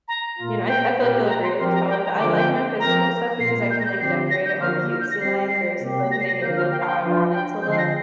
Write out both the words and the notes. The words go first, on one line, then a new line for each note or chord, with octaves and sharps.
you know, I I feel like you'll agree with this probably, but I like my physical stuff, because I can, like, decorate it all cutesy like or s like, or make it look how I want it to look.
A#5
A#2 A#3 F4
G5
A#2 A#3 G4 A#4
A#5
C6
F3 C4 G4 A#4 C6
A#5
G5
A#5
D3 F3 A#3 D6
G5
F3 C4 A#4 A#5
A#2 A#3 F4 C7
G6
A#6
G6
D3 F3 C4 G4 C7
A#6
G6
D3 F3 A#3 F6
F6
G6
A#6
G3 C4 G4 C7
C3 A#3 G4
A#6
C7
A#6
D3 F3 A#3 G6
F6
G5
F5
G5
F3 D4 F4
G5
D3 F3 C4 G6
C7
A#6